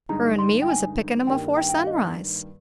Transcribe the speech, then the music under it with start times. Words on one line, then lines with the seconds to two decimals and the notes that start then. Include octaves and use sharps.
"Her and me was a picking 'em afore sunrise."
0.09 G2 D3 G#3 D#4 G#4 A#5
0.39 C6
0.62 G5
0.69 G#5
1.27 G2 D#3 G3 A#3 G5
1.57 G5
1.69 G5
1.78 F5
1.87 D#5